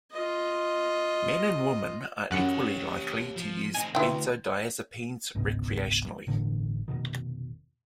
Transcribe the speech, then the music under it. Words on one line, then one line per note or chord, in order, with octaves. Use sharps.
Men and women are equally likely to use benzodiazepines recreationally.
F4 D#5
F#2 C#4 G4 C#5 F#5 F#6 C#7
F3
C4 D#4 G#5
D2 E4 B4 G5 C6
G1 C#2 G#2 B2
G1 A2 D3 E3
F1 A#1 B2 D#3